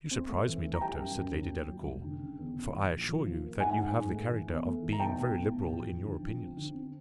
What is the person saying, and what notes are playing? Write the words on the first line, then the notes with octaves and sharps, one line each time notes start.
"You surprise me, doctor!" said Lady Delacour; "for I assure you that you have the character of being very liberal in your opinions."
C4
A3
E3
E3
A#5
G3 G5 A5
F#2
F#2
D#3
D#2
F#3
F1
D3
C#3
E2
C#3
E3
A#1
F3
F3
A#3
G#2 F#5 G#5
G#2
G#2
A3
E3
E2
A3
E3
A#5
B1 G5 A5
B1
B1
A2
F3
F2
D3
F3
C4
D3
C4